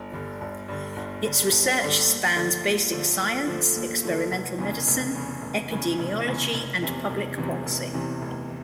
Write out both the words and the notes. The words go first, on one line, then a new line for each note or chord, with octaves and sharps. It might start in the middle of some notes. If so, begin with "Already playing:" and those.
Its research spans basic science, experimental medicine, epidemiology and public policy.
Already playing: G1
G2 D3
G1
G2 D3
G1
G2 D3
G1
G2 D3
D#2
D3 F3 A3
D#2
D3 F3 A3
D#2
D3 F3 A3
D#2
D3 F3 A3
F1
E2 C#3
F1
E2 C#3
F1
E2 C#3
F1
E2 C#3
F1
E2 C3 E3
F1
E2 C3 E3
F1
E2 C3 E3
F1